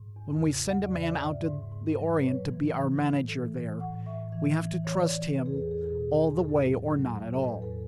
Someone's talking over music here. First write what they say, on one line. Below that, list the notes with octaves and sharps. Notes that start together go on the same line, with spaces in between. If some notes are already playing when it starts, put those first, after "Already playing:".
When we send a man out to the Orient to be our manager there, we have to trust him all the way or not at all.
Already playing: G#2
E2
C#3
E2 F#5
D5
C#3 E5
G#2 D5
G#2
G#2
F#3
B4
A2 C#5
E3
E3
A2
E3 A4
E3
A2 F#5
A2 E5
E3 E5
E3
E3 C#5
D5
C#5
E3
E2 B4
G#4
A4
E2
G#4
A4
B2 G#4
E2
A2 A4
F#3
F#3
A2
A4
E2 B4
A4